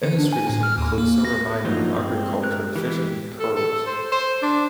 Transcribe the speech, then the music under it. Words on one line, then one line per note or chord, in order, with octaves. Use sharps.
Industries include silver mining, agriculture, fishing and pearls.
D3
D4
G#5
A2
F6
D#2
A#3
A#6
G2 F3 F#3 A3 A#3 D#4
G#3 C4
A#4 F#6
E3 G4
A4
A4
C5
C5
D4